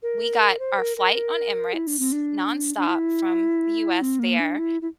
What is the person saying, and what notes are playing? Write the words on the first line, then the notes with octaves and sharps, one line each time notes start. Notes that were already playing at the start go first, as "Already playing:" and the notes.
we got our flight on Emirates nonstop from the US there,
A#4
C5
A#4
A#4
E4
D4
C4
D4
D4
E4
C4
A#3
D4
E4
E4